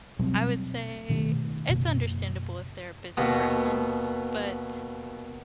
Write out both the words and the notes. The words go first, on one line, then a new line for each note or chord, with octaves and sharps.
I would say it's understandable if they're a busy person, but
B2 F#3 G3 C4
B2 D#3 A3
F#1 B2 A#3
D#2 B2 B3